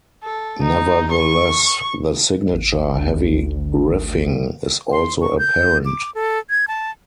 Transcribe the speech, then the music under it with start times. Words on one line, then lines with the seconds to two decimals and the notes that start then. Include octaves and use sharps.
Nevertheless, the signature heavy riffing is also apparent.
0.24 A4
0.62 D#4
1.11 C#6
2.53 G#1
2.96 D2
4.92 C6
5.21 C#6
5.38 G6
5.85 D6
6.15 A4
6.50 G#6
6.68 A5